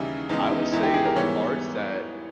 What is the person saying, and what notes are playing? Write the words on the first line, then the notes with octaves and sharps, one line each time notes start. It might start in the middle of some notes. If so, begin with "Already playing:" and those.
I would say the parts that,
Already playing: D#2 C#3 E3 G3 D#4 E4 G#4
E2 C#3 G#3 B3 D#4
E4
D#4
E2 D#3 G#3 E4
G4
G#4
A#4
G#2 E3 G3 B3 C#5